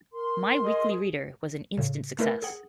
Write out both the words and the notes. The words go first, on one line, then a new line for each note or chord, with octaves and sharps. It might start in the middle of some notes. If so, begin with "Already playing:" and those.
"My Weekly Reader" was an instant success.
A#4 C6
G#4 D#5
A2 C#3
A3 E4 A#4 B4
G#4 F#5